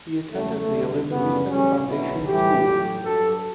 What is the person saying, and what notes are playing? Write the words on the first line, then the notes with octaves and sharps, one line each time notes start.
He attended the Elizabethan Foundation School.
E2 C#3 F#3 A3
E2 D3 G3
F#2 C#3 G3 B3
A2 G3 C#4
B2 F#3 E4
A2 E3 G3 G4
A2 F#3
G2 F#3 A4